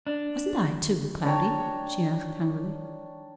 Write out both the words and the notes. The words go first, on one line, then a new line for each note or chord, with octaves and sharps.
"Wasn't I, too, Cloudy?" she asked hungrily.
D4
D4 C#5 G5 A#5